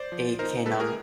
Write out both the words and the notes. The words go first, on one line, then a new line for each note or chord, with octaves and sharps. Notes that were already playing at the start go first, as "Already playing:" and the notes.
it can, um
Already playing: C5 D5
F3
D#4 A#4 C5
G#3 A4 B4
G#4 A#4